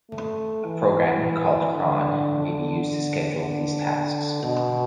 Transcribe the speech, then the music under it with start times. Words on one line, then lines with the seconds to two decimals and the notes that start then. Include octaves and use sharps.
A program called cron may be used to schedule these tasks.
0.11 A3
0.65 E3
1.73 D3
2.80 D3
3.35 D3
4.42 B2